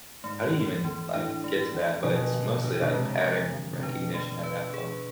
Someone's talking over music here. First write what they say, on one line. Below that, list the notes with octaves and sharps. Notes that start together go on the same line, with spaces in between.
how do you even, like, get to that?" But it's mostly, like, pattern recognition at that point,
G#2 A3
E3
E3
A2 D4
A3
E3
B2 F3
D3
D4
B2
C3 G#3
F3
D3
C3
B2 D4
A3
B4
G#4